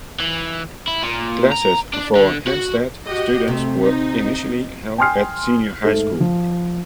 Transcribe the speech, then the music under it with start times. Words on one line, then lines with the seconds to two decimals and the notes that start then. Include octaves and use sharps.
Classes for Hempstead students were initially held at Senior High School.
0.20 E3
0.88 E4
1.03 A#2
1.52 A#5
1.94 D4
2.16 D3
2.47 F#4
3.05 F#4 G4 D#5
3.48 C3 A3
3.82 D#4
4.98 G5 G#5 C6 D#6 F6 C7
5.84 G#2 A3 A4
6.20 F3